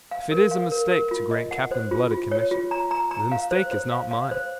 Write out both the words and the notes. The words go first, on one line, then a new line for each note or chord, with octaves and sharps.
If it is a mistake to grant Captain Blood a commission, the mistake is not mine.
F5
A#4
F5
A#4
A#4
F4
D#5
F#5
C5
F4
F4
C#5
F4
A#5
A#5
A#5
F5
C5
C5
F5
F5
C5